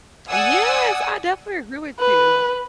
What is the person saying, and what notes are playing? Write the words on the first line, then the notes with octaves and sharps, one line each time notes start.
Yes, I definitely agree with you.
D5 F#5 G#5 D#6 E6
B4